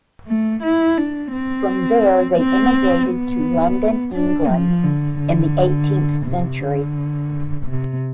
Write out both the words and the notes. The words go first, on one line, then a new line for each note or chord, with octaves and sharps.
From there they immigrated to London, England in the eighteenth century.
A3
E4
D4
C4
C4
B3
D4
F3
D3
D3
C3
D3
C3